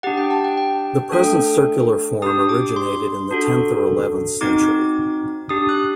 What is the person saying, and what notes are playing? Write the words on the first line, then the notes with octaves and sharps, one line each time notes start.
The present circular form originated in the tenth or eleventh century.
D4 G4 F#5
G5
A5
G5
G5
A3 D4 A4 G5
D4 G4 D#6
D6
C6
D4 F#4 A4
C4 D#4 F#4 D6
D4 G4 D#6
F#6